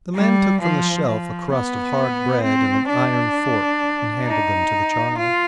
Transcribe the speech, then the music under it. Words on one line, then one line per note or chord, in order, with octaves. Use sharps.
The man took from the shelf a crust of hard bread and an iron fork, and handed them to the child.
G3
F3
F3
B3
C4
D4
D#4
F4